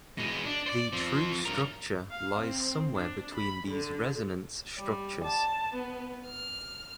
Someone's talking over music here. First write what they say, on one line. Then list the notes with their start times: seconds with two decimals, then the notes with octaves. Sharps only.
The true structure lies somewhere between these resonance structures.
0.18 B2 G#3
0.45 D4
0.66 C5 D5
0.93 F3 C4
1.46 G2 A#4
2.10 F5
2.40 C4
2.95 D4
3.35 B5
3.68 D3
4.78 G3
5.23 A5
5.74 B3
6.25 F6